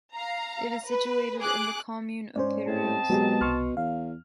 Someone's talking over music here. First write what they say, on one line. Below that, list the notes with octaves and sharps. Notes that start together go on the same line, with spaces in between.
It is situated in the commune of Pérouse.
F5 A#5
B4
G#4 D6 F#6
G#2 C#4 C5 D5
A2 C4 D#5 A5
B2 F#3 G#3 G4 G#4 G#5
C2 C6 C#6 F6
E2 F5